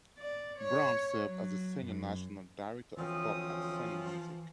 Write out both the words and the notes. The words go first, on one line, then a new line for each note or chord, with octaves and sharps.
Brown served as the Senior National Director of Pop at Sony Music.
D5
C#5
F#3
F#2
D2 E3 F3 C4 C#4 D#6